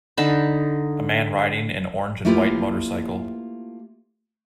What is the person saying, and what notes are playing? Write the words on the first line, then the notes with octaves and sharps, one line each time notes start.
A man riding an orange and white motorcycle.
D3 D#4 A5 B5
A3 A#3 E4 F4 G4 B4